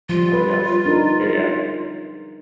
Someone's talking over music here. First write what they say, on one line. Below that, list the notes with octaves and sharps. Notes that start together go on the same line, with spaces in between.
Oh, yes. Yeah, yeah.
F3 G3 F4
B4
D4 D#4 A#4